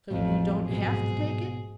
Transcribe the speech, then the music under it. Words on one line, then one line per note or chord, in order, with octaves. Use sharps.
So you don't have to take it.
A1 F2 A2 F3 F#3
G#2 B2 G#4